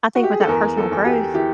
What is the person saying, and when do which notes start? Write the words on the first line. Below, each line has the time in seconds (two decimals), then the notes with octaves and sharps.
I think with that personal growth,
0.15 F#4
0.23 G4
0.31 G#4
0.40 A4
0.48 E2 A#4
0.77 A4
0.91 E2
1.05 G4
1.34 E3 G4